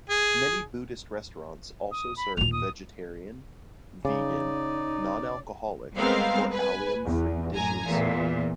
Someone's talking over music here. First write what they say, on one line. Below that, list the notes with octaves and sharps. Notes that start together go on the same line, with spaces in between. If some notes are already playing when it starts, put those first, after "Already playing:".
Many Buddhist restaurants also serve vegetarian, vegan, non-alcoholic or allium-free dishes.
G#4
D#6
B5
D#2 A#2 F7
D#6
C#3 D#4 D5
G3 G#3 B3 C4 A#4 F5
B4 G#5
E2
A1 F#2 G#5 A#5
E2 A#2 E3